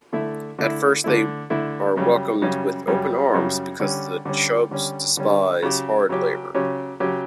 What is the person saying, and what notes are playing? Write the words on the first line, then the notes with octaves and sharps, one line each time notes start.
At first they are welcomed with open arms because the Chubs despise hard labor.
D3 A3 E4
D3 A3 E4
D3 A3 E4
D3 A3 E4
F#2 C#3 G3 C#4
F#2 C#3 G3 C#4
F#2 C#3 G3 C#4
F#2 C#3 G3 C#4
D3 G3 C#4
D3 G3 C#4
D3 G3 C#4
D3 G3 C#4
C#3 F#3 C#4 G4
C#3 F#3 C#4 G4
C#3 F#3 C#4 G4
C#3 F#3 C#4 G4